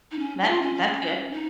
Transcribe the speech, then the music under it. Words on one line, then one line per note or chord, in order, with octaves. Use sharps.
That that's good.
D#4
C#4
D#4
F4
C#4
C#4
D#4